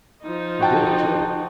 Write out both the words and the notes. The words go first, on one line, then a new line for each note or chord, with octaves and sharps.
He did it too.
F3 D#4
F#4 G5 A5